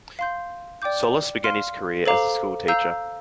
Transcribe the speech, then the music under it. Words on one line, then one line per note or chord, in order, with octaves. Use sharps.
Solis began his career as a school teacher.
F5 C6 G6
D5 G5 D6 G6
F5 C6 F6
A4 C5 F5 A#5 D6
F5 A#5 E6 G6